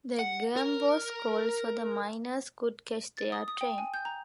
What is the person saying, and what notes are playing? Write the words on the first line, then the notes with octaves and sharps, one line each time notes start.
The game was called so the Miners could catch their train.
F#5
A#4
A6
D#6
D#6
G5
G#5
G6
A#5